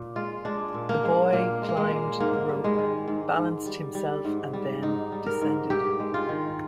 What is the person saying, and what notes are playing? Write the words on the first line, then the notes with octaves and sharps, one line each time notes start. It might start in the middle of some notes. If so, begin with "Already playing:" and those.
The boy climbed the rope, balanced himself and then descended.
Already playing: A#2
G#3 F4
G#3 D4
A#2
A#3
G#3
A#2 A#3
G#3
A#3
G#3
A#2
G#2 A#3
G3
G#3
D#3
G#2
G#2
G3
G3
G#2
G3
G#2 D#4
G3
A#4
G#2
G2 G4
G#3
F4
D#3